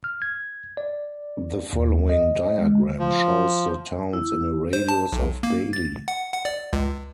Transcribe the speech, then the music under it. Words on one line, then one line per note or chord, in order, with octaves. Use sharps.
The following diagram shows the towns in a radius of Bailey.
F6
G#6
D5
D#2
D#5
G#3
F3
E4
C5
A5
B1
A#3
A6
F#5
F#5
D5
C#2